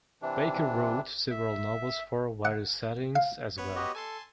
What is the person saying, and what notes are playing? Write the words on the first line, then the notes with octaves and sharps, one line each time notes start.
Baker wrote several novels for various settings as well.
C3 E3 D4
E5
F#5
F5
B3 B4 C#5
F#4 G4 D#5
A4 G#5 A5 C6